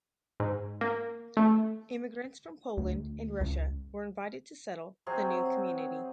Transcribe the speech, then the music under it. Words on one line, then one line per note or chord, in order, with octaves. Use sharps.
Immigrants from Poland and Russia were invited to settle the new community.
G#2
A#3
A3
D2
C#2
C3 F#3 C4 G#4